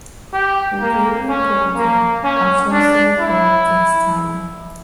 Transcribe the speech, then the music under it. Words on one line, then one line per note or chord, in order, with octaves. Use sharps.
When creating a prototype, outsourcing a board takes time.
G4
A#3
C#4
A#3
C#4
D4
E4